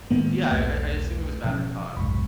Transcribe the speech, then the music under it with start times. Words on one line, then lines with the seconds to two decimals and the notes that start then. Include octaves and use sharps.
Yeah, I I I assume it was battered cod.
0.10 A2 D#3 G#3 A#3 B3
0.50 B1 E2 A3 B4
1.44 B2 F3 C#4
1.97 F1 B1 G#2 B5 C#6